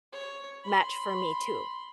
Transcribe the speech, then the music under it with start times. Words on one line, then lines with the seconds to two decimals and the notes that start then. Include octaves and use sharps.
match for me too."
0.13 C#5
0.64 B5 C6